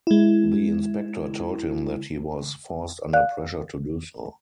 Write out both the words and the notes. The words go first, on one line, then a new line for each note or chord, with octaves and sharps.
The inspector told him that "he was forced under pressure to do so".
G#3 E4
D5 F5 F#6